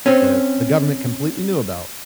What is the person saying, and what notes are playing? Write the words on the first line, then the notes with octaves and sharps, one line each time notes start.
the the government completely knew about,
C4 C#4